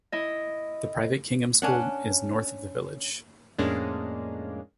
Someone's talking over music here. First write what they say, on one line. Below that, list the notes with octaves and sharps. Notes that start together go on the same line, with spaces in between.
The private Kingham Hill School is north of the village.
E4 D#5
C#4 D4 F#5
F2 A2 G#3 A#3 C#4 D4